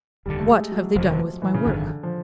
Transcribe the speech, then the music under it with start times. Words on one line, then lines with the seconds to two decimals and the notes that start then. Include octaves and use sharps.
What have they done with my work?
0.26 F1 D#2 D3 G3
0.40 A3
0.48 G#3
0.72 F#3
0.85 F#3
0.95 F1 D#2 D3 F3
1.42 E3
1.54 C#3
1.65 G#1 F#2 D3 D#3
2.03 F3